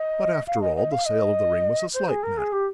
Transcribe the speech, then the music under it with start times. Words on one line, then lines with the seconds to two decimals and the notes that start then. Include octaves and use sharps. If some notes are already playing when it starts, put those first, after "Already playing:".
But, after all, the sale of the ring was a slight matter.
Already playing: D#5
0.46 F5
0.61 D#5
0.76 D#5
0.91 F5
1.05 D#5
1.94 C5
2.08 G#4
2.23 A#4
2.37 G#4
2.52 G4